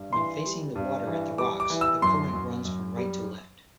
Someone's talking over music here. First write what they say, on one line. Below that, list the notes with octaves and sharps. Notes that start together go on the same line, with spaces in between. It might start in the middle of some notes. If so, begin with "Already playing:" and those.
When facing the water at the rocks the current runs from right to left.
Already playing: G2
E3 C6
G3
G2
E3
G3 D6
D6
E3
E6
F#2 C6
F#2
F#2
G3